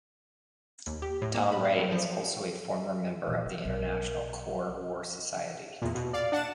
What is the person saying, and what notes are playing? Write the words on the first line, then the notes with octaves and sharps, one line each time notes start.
Tom Ray is also a former member of the International Core War Society.
D#2
G4
A2
A#3
B5
F5
F#3
F3
A#2 D#3
F3 B3
B1 A#4
E2 A#2
B2
D5 F5
D4 F#5 A6 E7